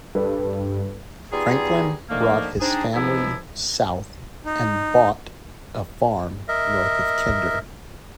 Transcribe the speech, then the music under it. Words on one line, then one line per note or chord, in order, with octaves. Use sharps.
Franklin brought his family south and bought a farm north of Kinder.
G2 A4 B4
G3 B3 D#4 F4 G#4
D3 D#3 F3 A3 A#3
C4 D4 D#4 G#4
C#2 G#2 F3 B3 D#4 E4
D#4
A#4 D#5 E5